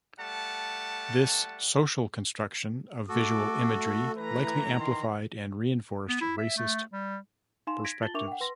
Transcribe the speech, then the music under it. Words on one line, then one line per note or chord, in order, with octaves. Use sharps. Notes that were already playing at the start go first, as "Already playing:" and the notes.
This social construction of visual imagery likely amplified and reinforced racist perspectives.
G3 A3 F#5 A5
A3 F#4 A4 D6
E3 B4 A#5
D#3 C6
B3
E4
E5
A3
G3
D#4 F5 G#5 C6 E7
G#6 A#6 B6 D7
F4 A5 A6 F#7 G7
D4 A#4 E5 C#6 D6 F7
F#5 G5
B4 C6 A#6